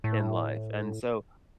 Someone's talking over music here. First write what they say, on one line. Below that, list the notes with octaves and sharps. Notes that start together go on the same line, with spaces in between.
in life, and so
A2